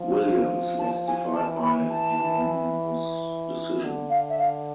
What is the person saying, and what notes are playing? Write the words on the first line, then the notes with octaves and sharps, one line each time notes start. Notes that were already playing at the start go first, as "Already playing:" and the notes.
Williams lost the fight by unanimous decision.
Already playing: F3
A5
G#5
E3 A5
B5
A5
E3
D3
F5
E5
F5